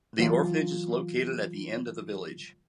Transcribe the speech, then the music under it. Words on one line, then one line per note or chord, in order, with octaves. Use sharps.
The orphanage is located at the end of the village.
E3 F#3 F4